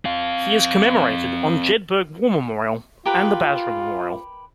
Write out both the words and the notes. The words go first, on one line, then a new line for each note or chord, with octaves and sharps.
He is commemorated on Jedburgh War Memorial and the Basra Memorial.
C4 F5
F4 G4 A#4 B4